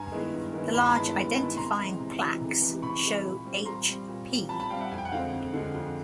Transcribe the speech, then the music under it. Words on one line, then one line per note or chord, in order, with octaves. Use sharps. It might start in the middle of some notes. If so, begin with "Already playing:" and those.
The large identifying plaques show "H P".
Already playing: G2 G#5 A#5
D#3 G#3 B3 E4
G2
D#3 G#3 B3 E4
G2 B5
C6
A5 B5
D#3 G#3 B3 E4
G2
D#3 G#3 B3 E4
C3 A#5 C6
E3 G#3
C3
E3 G#3
C3
E3 G#3
C3 B5 C#6
E3 G#3
A#2
G3 C4
A#2 A#5 C6
G3 C4
A#2
G3 C4
A#2 A5 B5
A5 B5
G3 C4 F5 G5
E5 F#5
F2 G#5
G5
F#5
D3 F3 G#3 C4 F5 G5
F2
D3 F3 G#3 C4
F2